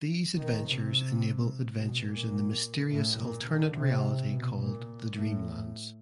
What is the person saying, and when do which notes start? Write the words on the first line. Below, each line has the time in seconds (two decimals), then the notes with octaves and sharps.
These adventures enable adventures in the mysterious alternate reality called the Dreamlands.
0.36 D#3
0.65 C3
1.77 B2
2.05 A#2
2.91 A2
3.18 A#2
3.47 D3
3.75 C3
4.30 B2
4.59 A#2
5.15 A2